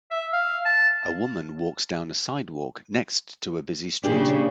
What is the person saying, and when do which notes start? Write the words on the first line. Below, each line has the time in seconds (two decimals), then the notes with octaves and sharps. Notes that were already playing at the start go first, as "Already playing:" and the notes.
A woman walks down a sidewalk next to a busy street.
0.11 E5
0.33 F5
0.65 A5
4.04 A#2 C#3 D4 G4 G#4